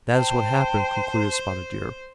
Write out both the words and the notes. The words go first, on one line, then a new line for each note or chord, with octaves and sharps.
"That is what happened," concluded Spotted Deer.
C5 G5 A5